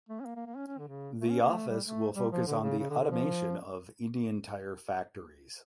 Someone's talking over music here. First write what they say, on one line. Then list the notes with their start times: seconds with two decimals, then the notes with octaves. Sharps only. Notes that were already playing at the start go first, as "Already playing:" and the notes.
The office will focus on the automation of Indian tire factories.
0.09 A3
0.20 C#4
0.26 A#3
0.36 A#3
0.46 A#3
0.56 C#4
0.68 C#4
0.78 D3
0.88 C#3
1.21 A3
1.31 C#4
1.42 A#3
1.52 A3
1.68 G3
1.84 A3
2.16 G3
2.32 F3
2.47 D3
2.63 C#3
2.79 C#3
2.90 D3
3.00 D3
3.11 F3